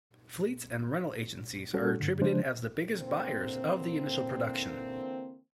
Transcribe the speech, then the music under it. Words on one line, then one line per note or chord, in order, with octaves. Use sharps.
Fleets and rental agencies are attributed as the biggest buyers of the initial production.
G3 C#4 F#4 A4
G2 D3
C#3 F3 G#3 D4 C5
D3 E3 A#3 C4